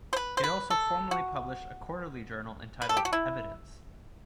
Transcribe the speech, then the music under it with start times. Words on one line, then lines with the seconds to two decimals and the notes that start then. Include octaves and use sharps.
It also formerly published a quarterly journal entitled "Evidence".
0.13 C5
0.17 B4
0.37 C5
0.44 B4
0.70 A4
1.11 F#4
2.82 B4
2.89 A4
2.97 G4
3.05 F#4
3.13 E4